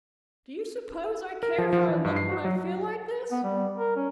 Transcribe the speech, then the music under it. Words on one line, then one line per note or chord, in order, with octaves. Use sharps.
"Do you suppose I care how I look when I feel like this?"
A#4
F3
F3
E3
G2
C7
F#4
F#3
B3
G3
A#4
C#4